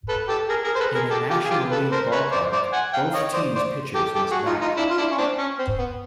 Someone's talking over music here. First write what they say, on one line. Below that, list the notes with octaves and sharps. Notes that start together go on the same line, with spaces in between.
In a National League ballpark, both teams' pitchers must bat.
A4 B4
G4 A4
G#4 A#4
G#4 A#4
C5
A4 B4
G#4 A#4
G4 A4
F4 G4
G#4
F4 G4
A4 B4
A#4 C5
B4 C#5
C5 D5
C5 D5
F#5 G#5
F5 G5
C#5 D#5
C5 D5
C5 D5
G4 A4
G4 A4
F#4 G#4
D#4 F4
D#4 F4
D4 E4
F4
D4 E4
C#4
C4 D4
C#4
C4
B3